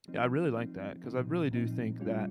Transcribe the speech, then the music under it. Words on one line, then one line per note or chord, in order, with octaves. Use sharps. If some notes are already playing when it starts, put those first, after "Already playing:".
Yeah, I really like that 'cause I really do think that
F3 C4 D#4
F3 C4 D#4
A#2 F3 C4 D#4
A#2 F3 C4 D#4
G3 C#4 F4